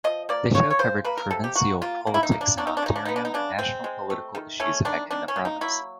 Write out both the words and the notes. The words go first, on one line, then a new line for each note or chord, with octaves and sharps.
The show covered provincial politics in Ontario and national political issues affecting the province.
F3 D#5
A#3 D5
C#3 C#5
C#5
C#3 C5
A#3 B4
A#4
C3 A4
G4
A#3 F#4
A#3 F4
A#3
E4
D#4
A#3
D4
F#3 D4
D#4
D4
C#3 D#4
D4
B3 D#4
D4
D#4
C#3 D4
G#3 C4
G#3
A3
D#3
A3 C#4
D#3 D4
D#3 D4
C#4
A#3
D#4
F#3 E4